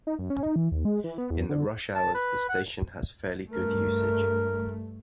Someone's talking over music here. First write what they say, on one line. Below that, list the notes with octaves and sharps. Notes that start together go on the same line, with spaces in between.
In the rush hours the station has fairly good usage.
D#4
F#2
C#4
D#4
E3
D#2
G#3
E3
B3
E2
D3
A5
B4
F#5
G2 A3 A#4